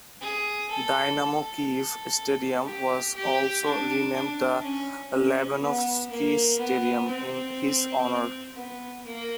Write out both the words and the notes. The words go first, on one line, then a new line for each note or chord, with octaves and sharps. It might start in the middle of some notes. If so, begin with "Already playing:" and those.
Dynamo Kyiv's stadium was also renamed the Lobanovsky Stadium in his honour.
G#4
A4
A4
G4
G4
D4
D4
C#4
C#4
B3
A#3
B3
C4
B3
A#3